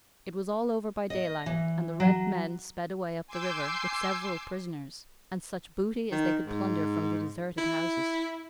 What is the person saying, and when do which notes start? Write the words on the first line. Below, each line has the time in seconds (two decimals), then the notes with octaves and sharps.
It was all over by daylight, and the red men sped away up the river, with several prisoners, and such booty as they could plunder from the deserted houses.
1.10 D#5
1.46 E3
2.00 F#3
3.27 G#5 C6 D6 E6 G6 C7
6.12 D#3
6.47 G#2
7.58 E4